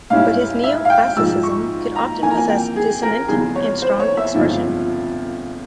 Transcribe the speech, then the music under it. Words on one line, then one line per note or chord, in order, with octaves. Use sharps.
But his neoclassicism could often possess dissonant and strong expression.
G#2 G3 C#4 E4 F5
E5
F5
G5
G#2 F3 G#3 E6
C#6
A#5
F2 E3 A#3 G#5
A#5
G#5
G5
G#4
A#4
F1 E2 C#3 G3 G#4
C#5
C5
C#5
E5
G1 F2 C#3 F3 G#3